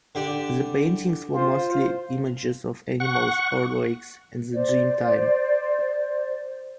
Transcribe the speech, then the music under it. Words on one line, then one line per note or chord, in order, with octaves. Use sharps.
The paintings were mostly images of animals or lakes, and the Dreamtime.
D3 G4 D5
F4 C5
F#5 C#6
C5 D5